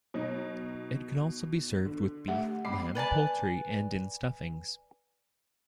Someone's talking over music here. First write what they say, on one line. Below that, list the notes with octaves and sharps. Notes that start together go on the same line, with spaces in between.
It can also be served with beef, lamb, poultry and in stuffings.
B2 F#3 D#4
D3
A3 G4 F#5
G#3 B3 B5 D6 C7
B4 D5 G#5 A5